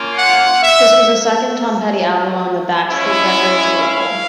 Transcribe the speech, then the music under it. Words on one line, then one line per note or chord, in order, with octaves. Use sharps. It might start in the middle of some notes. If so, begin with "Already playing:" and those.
This was the second Tom Petty album on the Backstreet Records label.
Already playing: A#3 C#4 F4
F#5
E5
G#3 C#4 E4
F5